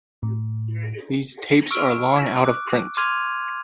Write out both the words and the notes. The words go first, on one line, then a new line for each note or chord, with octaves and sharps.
These tapes are long out-of-print.
A2
C#6 E6 F6 D7
D6 F#6
C6 D6 F6 G#6 D#7 F7